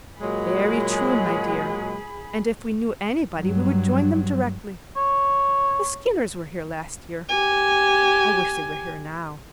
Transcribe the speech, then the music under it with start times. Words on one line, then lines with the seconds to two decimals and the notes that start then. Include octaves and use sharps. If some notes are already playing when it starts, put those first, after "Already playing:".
"Very true, my dear; and if we knew anybody we would join them directly. The Skinners were here last year--I wish they were here now."
0.20 A#2 F#3 G#3 G#4 B5
3.40 G2 F#3
4.96 C#5
7.29 G4 G#5